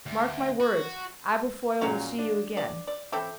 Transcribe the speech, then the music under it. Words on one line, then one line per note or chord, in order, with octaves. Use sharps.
"Mark my words, Aberfoyle will see you again!"
D2
F#4
F#2 A#2 F#3 F#4 F5
D4
D5
D5
C4 E4 A4 E5 G5 D6